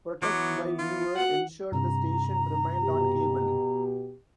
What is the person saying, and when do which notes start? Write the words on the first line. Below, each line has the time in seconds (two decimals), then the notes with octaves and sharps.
Protests by viewers ensured the station remained on cable.
0.22 E3 F#3 B3 D6
0.79 F4
1.16 F#4 F#5
1.72 G2 C3 A#5
2.82 B2 G4